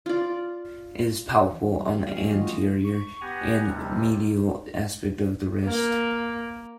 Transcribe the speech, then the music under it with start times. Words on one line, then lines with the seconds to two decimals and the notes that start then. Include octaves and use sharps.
It is palpable on the anterior and medial aspect of the wrist.
0.06 F4 D5
1.53 E3
1.77 G3
2.06 G3 C#4 G4 F5
2.32 D#3 F3 A3 F4 F#4 D#5
2.84 C#6
3.21 B3 G4 F#5 G#5 A#5
3.67 D#2 C3 G3
5.64 A#3